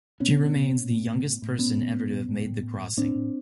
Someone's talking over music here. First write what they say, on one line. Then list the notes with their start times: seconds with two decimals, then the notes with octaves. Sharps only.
She remains the youngest person ever to have made the crossing.
0.20 B2 B3 C#4
0.37 B2
0.56 B2
0.72 B2
0.90 A2
1.07 A2
1.25 A2
1.42 A2
1.59 A#2 B3 C#4
1.77 A#2
1.94 A#2
2.12 A#2
2.28 A2
2.45 A2
2.63 A2
2.80 A2
2.97 A2 C4 D4
3.15 A2